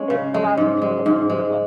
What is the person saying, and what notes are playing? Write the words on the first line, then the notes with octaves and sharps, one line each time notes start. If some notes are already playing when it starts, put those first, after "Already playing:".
it allows me to listen to the book
Already playing: G#3 C#4
C#3
G#3
G#2
G#3
G#2
G#3